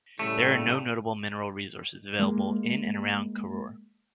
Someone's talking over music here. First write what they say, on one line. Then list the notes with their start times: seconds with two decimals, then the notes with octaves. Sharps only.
There are no notable mineral resources available in and around Karur.
0.19 A2 C#3 G3 A3
2.19 G#3 A#3